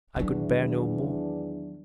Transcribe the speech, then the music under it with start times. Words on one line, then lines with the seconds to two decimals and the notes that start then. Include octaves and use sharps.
I could bear no more.
0.16 E2 D#3 F#3 D4